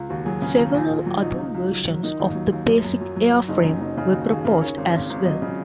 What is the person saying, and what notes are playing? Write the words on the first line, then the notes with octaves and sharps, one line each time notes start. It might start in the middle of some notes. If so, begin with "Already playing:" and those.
Several other versions of the basic airframe were proposed as well.
Already playing: C#2
D#2 F#4
F#3 G#4
C#3 G#5
D#2 A#5
A#1 G#5
A#2
F#3
D#4
A#1
C#2
C#2
F#3
F#3
D#3 D#4
D#2
F#3
D#2
F#2
F#2
F#3
F#3
F#2 F#4
F#1 D#4
F#3 C#4
F#1 D#4
C#3 D#4
D#2 F#4
D#2 G#4
C#3 A#4
A#4
D#3 C#5
G#1
G#1
G#1
F#3 D#5
C#3